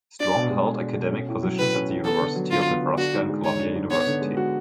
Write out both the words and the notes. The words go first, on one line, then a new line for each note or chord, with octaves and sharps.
Strong held academic positions at the University of Nebraska and Columbia University.
D4 D5
B2
G#3
G#4
D4
B2
C#4
A2
F#3
A2 B4
C#4
A2
B3 A4
D3
F#3
D3 F4
B3
D3
D4 F#4
G#2
G#3
G#2 C#5
D4
G#2
B3 C#5
D3
G#3
F#4